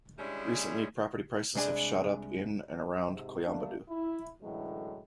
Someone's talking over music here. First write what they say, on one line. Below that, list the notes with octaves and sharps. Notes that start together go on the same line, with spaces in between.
Recently, property prices have shot up in and around Koyambedu.
G3 G#3 C#4 D4 E4 G#4
C2 G#3 D4 G#5
G#2 C3
G3 A3 A#3 D4
E4
F#2 A2 D3 E3 F#3 G#3